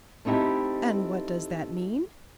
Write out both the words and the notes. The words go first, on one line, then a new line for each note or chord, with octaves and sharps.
And what does that mean?
A3 C4 D#4 E4 G4